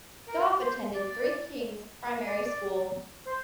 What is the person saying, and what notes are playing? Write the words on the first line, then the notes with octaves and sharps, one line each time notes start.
Goff attended Three Kings Primary School.
A#4
C5
D5
D5
D5
C5